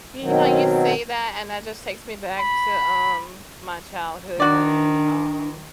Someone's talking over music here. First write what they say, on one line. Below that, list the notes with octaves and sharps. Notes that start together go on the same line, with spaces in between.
You know, you say that, and that just takes me back to, um, my childhood when, um
B2 D#3 F#3 C4
B5
D#3 D4 F#4 D5